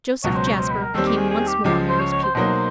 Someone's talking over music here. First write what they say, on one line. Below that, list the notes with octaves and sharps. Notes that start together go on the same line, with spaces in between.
Joseph Jasper became once more Mary's pupil.
C#2 B2 F#3 C#5
C5
C#5
C5
B4
A#4
D#2 D#3 G3 C4 A4
G4
G#4
G#4
G4
C#2 C#3 F3 G#3 G4
C5
C#5
C#5
C5
B2 F#3 A#3 D#4 C5